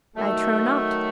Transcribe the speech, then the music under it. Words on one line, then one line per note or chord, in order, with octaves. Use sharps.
I trow not.
D#3 F#3 A3